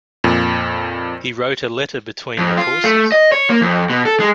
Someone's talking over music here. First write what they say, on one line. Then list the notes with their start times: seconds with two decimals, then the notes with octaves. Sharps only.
He wrote a letter between the courses.
0.24 F2 A#2
2.38 F2
2.58 F4
2.84 A3
3.12 D#5
3.32 C#5
3.50 A#3
3.62 F2
3.90 B2
4.05 A4
4.20 G#3